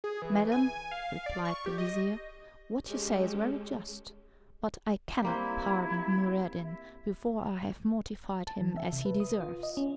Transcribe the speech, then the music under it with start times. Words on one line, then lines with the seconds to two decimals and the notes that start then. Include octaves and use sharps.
"Madam," replied the vizir, "what you say is very just, but I cannot pardon Noureddin before I have mortified him as he deserves."
0.04 G#4
0.22 E3
0.52 G#5
0.69 G#5
0.91 F5
1.26 D5
1.45 C#6
1.66 G4
1.78 D#5
2.87 G#3 C#4 G4 A4
5.22 G3 A#3 C4 E4
6.63 E5
8.47 A5
8.61 E3
8.77 E5
8.92 C3
9.05 B4
9.20 D#6
9.40 F4
9.63 D#5
9.77 C#4